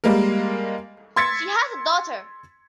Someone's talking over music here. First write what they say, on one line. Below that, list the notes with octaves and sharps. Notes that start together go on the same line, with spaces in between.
She has a daughter.
G3 G#3 A#3 A#4
C6 E6 G#6 A6 B6 C#7